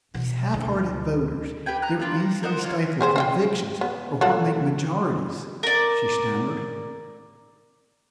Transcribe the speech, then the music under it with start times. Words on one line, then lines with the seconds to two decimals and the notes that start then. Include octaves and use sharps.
"These half-hearted voters, their easily stifled convictions are what make majorities," she stammered.
0.14 B2
0.54 D2
1.66 G4 B4 G5 G#5
1.82 A#5 F#6
1.99 D4 F4 B4 F5
2.20 A#5
2.43 A#4 C5 D#5 F#5
2.63 A#3 F4 C#5
3.01 G4 G#4 C5
3.16 C5 E5 G5
3.81 B3
4.21 F4 A4 F#5
5.63 A#4 D5